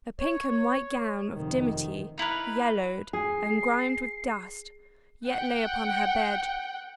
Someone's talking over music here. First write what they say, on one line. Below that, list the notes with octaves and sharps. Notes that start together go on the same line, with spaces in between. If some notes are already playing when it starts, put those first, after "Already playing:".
A pink and white gown of dimity, yellowed, and grimed with dust, yet lay upon her bed.
C#5
F1 D#3
D#4 E4 A#4 B4
G#4 C7
F#5 G5